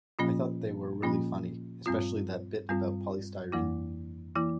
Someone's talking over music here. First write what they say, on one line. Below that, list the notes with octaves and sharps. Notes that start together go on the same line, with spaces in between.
I thought they were really funny, especially that bit about polystyrene.
A#2 F3 A#3 C#4 F4
A#2 F3 A#3 C#4 F4
G2 G3 C4 F4
G2 G3 C4 F4
F2 E3 A#3 E4
E3 A#3 E4